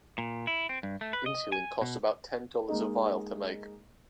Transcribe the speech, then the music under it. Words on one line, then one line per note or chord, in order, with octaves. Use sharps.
Insulin costs about ten dollars a vial to make.
A#2
E4
C4
G2
A3
B4
D#5
G#5
B2
G#3 A#3 D#4 D#5